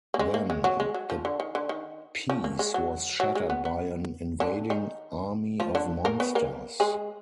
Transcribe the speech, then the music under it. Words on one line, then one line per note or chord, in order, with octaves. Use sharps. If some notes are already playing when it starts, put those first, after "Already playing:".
Then, the peace was shattered by an invading army of monsters.
A#3
G#3
A#3
G#3
F#3
G#3
F#3
F3
D3
D#3
D3
D#3
F3
A#3
G#3
F#3
F#3
G#3
B3
B3
D3 D4
D#3 D#4
F3 F4
D3 D4
A#3 A#4
B3 B4
A#3 A#4
G#3 G#4